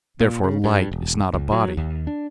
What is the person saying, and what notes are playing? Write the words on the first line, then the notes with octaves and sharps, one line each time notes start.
Therefore light is not a body.
A#2
C#3
G2
E1
C#2
F#3
D#2
D4